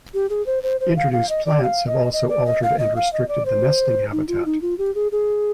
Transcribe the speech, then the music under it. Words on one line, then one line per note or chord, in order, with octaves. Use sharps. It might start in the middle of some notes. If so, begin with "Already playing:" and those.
Introduced plants have also altered and restricted the nesting habitat.
G4
G#4
C5
C5
C5
F5
F5
D#5
D5
F5
D#5
D#5
D5
D#5
F5
D#5
F5
D#5
D5
C5
D#4
F4
D#4
F4
G4
G#4
G#4